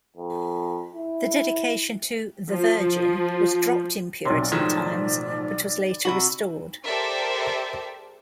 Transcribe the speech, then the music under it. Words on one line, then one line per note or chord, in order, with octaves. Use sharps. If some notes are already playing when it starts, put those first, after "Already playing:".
The dedication to "-the-Virgin" was dropped in Puritan times but was later restored.
F2
E4
F3
B1 C3 C#5 D5 C6
A2 D#3 F3 G#3
C3 F#4 B5 F#7
G4 A4 A#4 C5 D5 E5